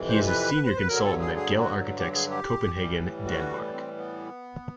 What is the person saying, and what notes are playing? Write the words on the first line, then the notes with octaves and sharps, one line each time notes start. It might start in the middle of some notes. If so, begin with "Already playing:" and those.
He is Senior Consultant at Gehl Architects, Copenhagen, Denmark.
Already playing: F2 C3 E3
C5
B4
C5
B4
G2 D3 F#3 A#4
A4
G#4
G#4
F#4
G4
G#4
G4
A2 E3 G3
F#4
C4
B3